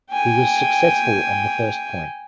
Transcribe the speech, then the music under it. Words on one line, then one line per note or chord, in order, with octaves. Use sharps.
He was successful on the first point.
G5 G#5